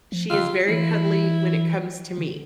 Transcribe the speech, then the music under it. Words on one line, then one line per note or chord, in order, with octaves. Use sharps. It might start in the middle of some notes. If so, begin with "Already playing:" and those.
She is very cuddly when it comes to me,
F3
D3 F4
E3 E4
D3